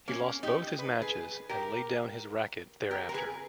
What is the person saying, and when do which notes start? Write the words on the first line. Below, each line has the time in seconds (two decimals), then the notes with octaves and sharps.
He lost both his matches and laid down his racket thereafter.
0.08 A#3 C#4
0.43 D#4 G4
0.79 B4
1.02 G#4 B4
1.49 G4 A#4
2.91 G4 A#4
3.09 A#4
3.14 G#4 B4